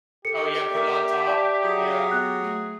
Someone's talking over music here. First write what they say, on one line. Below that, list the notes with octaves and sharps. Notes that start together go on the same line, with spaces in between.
Oh yeah, put it on top? Yeah.
G4 A4 C#7
A#3 D5 E5
D5 A5
F#3 G#4 A#5
B3 F#6
A3